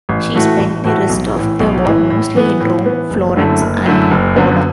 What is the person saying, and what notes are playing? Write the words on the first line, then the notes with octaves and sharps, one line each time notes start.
She spent the rest of the war mostly in Rome, Florence, and Padua.
A1
A2 E3 A3 F#4
A1
A2 E3 A3 F#4
B1
A2 E3
B1
A2 E3
A2
E3 B3
A2
E3 B3
F#1
F#2 D3 A3 E4
F#1
F#2 D3 A3 E4
F#1
F#2 D3 B3